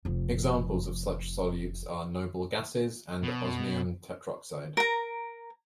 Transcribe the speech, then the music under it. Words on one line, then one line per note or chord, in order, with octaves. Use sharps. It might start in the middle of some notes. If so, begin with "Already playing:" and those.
Examples of such solutes are noble gases and osmium tetroxide.
F1 F3
B2
A#4 A#5